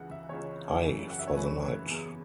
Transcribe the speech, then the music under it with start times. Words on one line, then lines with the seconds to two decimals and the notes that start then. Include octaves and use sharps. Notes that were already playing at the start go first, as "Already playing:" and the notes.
Ay, for the night.
Already playing: C#2 C#3 E3 F#5
0.11 E5
0.29 C#2 C#3 E3 C#5
0.83 F#2 C#3 E3
1.10 F#5
1.19 E5
1.27 C#5
1.36 F#2 C#3 E3 B4
1.90 E2 C#3 E3